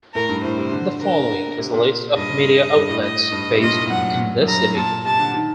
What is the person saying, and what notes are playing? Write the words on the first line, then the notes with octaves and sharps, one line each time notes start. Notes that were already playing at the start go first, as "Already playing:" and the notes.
The following is a list of media outlets based in the city.
A2 A#4
G2
A2 C5
C3
D3
D3 A#4
C3
A#2
G2 D#5
G2
A2
D#5
G2
C3
A#2 D#5
A2
G2
F#2 F#5
F#2
G2 A#5
A2
A#2 A5
C3 A5
D3
D#3